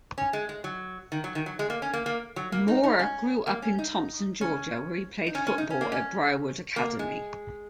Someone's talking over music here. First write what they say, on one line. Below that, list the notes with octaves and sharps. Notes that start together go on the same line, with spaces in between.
Mohr grew up in Thomson, Georgia, where he played football at Briarwood Academy.
C#4
G#3
G#3
F#3
D#3
F#3
D#3
F#3
G#3
A#3
C#4
A#3
A#3
F#3
A#3
D#4
D#4
C#4
A#3
C#4
D#4
C#4
D#4
C#4
C#4
D#4
C#4
A#3
C#4
A#3
G#3